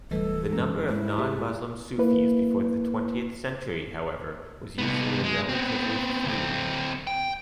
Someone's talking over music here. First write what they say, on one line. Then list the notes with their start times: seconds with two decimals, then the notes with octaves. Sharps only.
The number of non-Muslim Sufis before the twentieth century, however, was usually relatively few.
0.11 D1 E3 G3 D4 A4 B4
0.53 F#2 G#3 C#4
0.89 G#2 E4
1.18 A3 G4 G#4 E5
1.98 A#3 E4 B4
4.78 C2 B3
5.23 G#3
5.49 B3 C4
6.25 D2 C4
7.07 G5